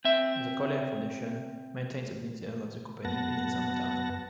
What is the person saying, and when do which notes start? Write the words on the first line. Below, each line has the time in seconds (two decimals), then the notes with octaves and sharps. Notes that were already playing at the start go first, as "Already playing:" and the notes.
The CallAir Foundation maintains a museum of the company in its hometown.
0.05 C4 E5
3.05 F#2 B3 F#5 A5 A#6